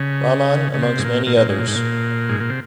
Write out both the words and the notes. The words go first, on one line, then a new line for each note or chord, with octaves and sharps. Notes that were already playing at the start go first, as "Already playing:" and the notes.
Rahman amongst many others.
Already playing: C#3
C#3
C3
G#2
A#2
A#2
A#2
G#2
A#2
G#2
A#2
G#2
A#2
C3